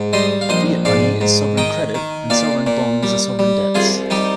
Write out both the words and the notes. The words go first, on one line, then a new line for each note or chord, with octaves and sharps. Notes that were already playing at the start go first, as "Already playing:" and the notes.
Fiat money is sovereign credit and sovereign bonds are sovereign debts.
Already playing: G#2
G3 C5 D#5
F5
A#1 C5 D#5
G#2 D5 F5
G#2
D#3 D#5 G5
D#3
A#2 D5 F5
A#2
G3
G3
C2 F4 G#4
G3 D#4 G4